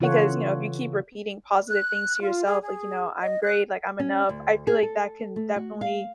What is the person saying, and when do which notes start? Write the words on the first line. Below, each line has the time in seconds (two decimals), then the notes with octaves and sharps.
because, you know, if you keep repeating positive things to yourself, like, you know, "I'm great," like, "I'm enough," I feel like that can definitely
0.01 C#3 E3 F4 A4 C#5 F#5
1.69 F#6
2.20 F4
2.45 G#4
2.62 G#4
3.22 D#5
3.43 F#6
4.00 C#4
4.29 D2
4.67 G#4
4.83 A4
5.36 A3
5.56 F#4
5.81 F5